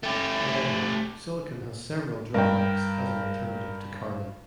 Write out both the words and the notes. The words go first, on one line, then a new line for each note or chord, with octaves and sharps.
However, silicon has several drawbacks as an alternative to carbon.
A3 G4
G2 A#4 G5